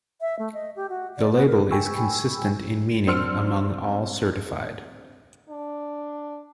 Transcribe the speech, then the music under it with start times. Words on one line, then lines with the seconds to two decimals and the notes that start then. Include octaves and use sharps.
The label is consistent in meaning among all certified.
0.21 E5
0.39 A3
0.53 D#5
0.76 G4
0.89 F#4
1.18 D5
1.32 B3
1.46 A#4
1.71 G5 G#5 B5 C#6 E6
3.07 C4 D4 C6 E6 F6 C#7
5.49 D4